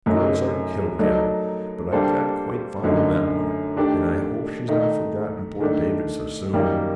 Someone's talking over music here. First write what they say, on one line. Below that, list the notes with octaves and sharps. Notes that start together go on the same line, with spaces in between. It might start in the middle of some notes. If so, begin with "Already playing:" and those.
Girls are kittle cattle, but I've got quite fond of that one, and I hope she's not forgotten poor David so soon.
F#2 F#3 A3 D#4
F#3 A3 D#4 A4 D5
G3 A#3 D4 A4 C5
F#2 D3 A3 D#4
D#3 A3 D4 G4 D5
D#3 A3 D#4
D#3 A3 D4
F#2 D#3 G3 A#3